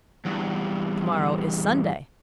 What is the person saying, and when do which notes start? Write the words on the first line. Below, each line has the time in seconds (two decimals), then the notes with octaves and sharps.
"To-morrow is Sunday."
0.25 E2 G2